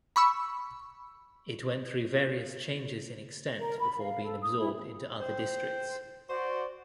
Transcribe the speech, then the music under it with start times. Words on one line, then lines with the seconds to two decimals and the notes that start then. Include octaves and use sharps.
It went through various changes in extent before being absorbed into other districts.
0.16 B5 C#6 E6
3.59 A#4
3.80 B5
4.01 F5
4.25 A4
4.41 D#6
4.57 E4
5.21 C5 G5
6.30 F#4 C5 D5